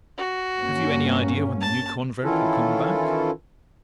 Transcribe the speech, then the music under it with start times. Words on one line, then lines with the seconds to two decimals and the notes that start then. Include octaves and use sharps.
Have you any idea when the new convert will come back?
0.18 F#4
0.56 G2 A#3 C#4
1.61 A5
2.24 D#3 E3 C#4 E4 F4 A4